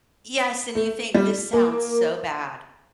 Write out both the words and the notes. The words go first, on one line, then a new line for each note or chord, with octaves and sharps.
Yes, and you think "This sounds so bad."
A3
G3
A#3